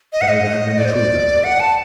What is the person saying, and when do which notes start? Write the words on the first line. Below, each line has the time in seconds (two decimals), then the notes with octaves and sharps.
Better that than the truth, after all.'
0.13 D#5
0.21 F#5
0.29 D#5
0.78 D5
0.85 C5
0.93 D5
1.44 F#5
1.60 A5